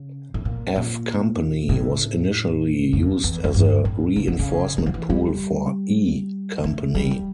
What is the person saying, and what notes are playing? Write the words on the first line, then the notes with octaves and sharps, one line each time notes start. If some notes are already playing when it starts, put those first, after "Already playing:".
"F" Company was initially used as a reinforcement pool for "E" Company.
Already playing: C#3
A2
A#2
A#2
A2
F2
E2
F2
G2
A2
C#3
D3
C#3
E3
F3
E3
G3
A3
G3